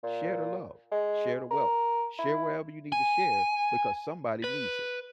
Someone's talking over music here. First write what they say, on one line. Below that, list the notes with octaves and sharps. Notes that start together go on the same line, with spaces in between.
Share the love. Share the wealth. Share wherever you need to share, because somebody needs it."
A#2
G#3
A#4
E4
G#5
B4